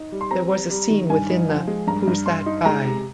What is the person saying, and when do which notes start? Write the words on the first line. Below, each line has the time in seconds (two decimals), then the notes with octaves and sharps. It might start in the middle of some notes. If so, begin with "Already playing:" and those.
There was a scene within the Who's that Guy?
Already playing: D#4
0.12 G3
0.21 C6
0.31 C4 A#5
0.51 G3
0.70 G3
0.90 D#3
1.10 G2 G#5
1.29 D#4
1.49 F3
1.67 G#3
1.87 G2 A#5
2.07 G2
2.26 G2 C6
2.46 D#4
2.65 G#3 A#5
2.85 C3